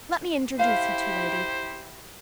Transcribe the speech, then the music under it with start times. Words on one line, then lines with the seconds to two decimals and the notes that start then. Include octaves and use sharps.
Let me introduce you two ladies.
0.59 E4 G4 C5 F5